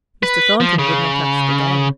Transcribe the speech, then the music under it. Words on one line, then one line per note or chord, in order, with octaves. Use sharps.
Mr. Thornton would not ask again.
B4
F3
C#3